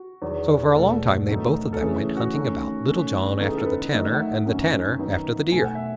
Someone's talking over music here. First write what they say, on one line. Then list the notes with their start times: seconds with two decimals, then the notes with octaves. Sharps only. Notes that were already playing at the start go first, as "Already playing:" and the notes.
So for a long time they both of them went hunting about, Little John after the Tanner, and the Tanner after the deer.
Already playing: F#4
0.22 E2 D#3 F#3
0.75 E2 B2 A3 A4
1.29 D#3 F#3 A3 D#4
1.73 A4
1.81 C#3 E3 A3 C#4 G#4
1.98 G#4
2.17 F#4
2.33 D#3 A3 C#4
2.87 D#3 A3 C#4
3.40 C#3 E3 B3 D#4 A4
3.49 G#4
3.57 A4
3.66 B4
3.93 D#3 F#3 A3 D#5
4.14 F#5
4.19 E5
4.46 F#2 D#3 F#3 C#4
4.99 D#3 F#3 B3 D#4
5.51 B2 F#3 A3 G#5
5.64 F#5
5.75 E5